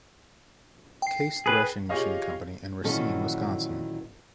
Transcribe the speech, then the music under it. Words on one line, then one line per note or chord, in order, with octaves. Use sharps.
Case Threshing Machine Company in Racine, Wisconsin.
G5 C7
G#4 B4
F4 G4 G#4 C#5 D#5 F5
A#2 D#3 E3 F#3 C#4 A4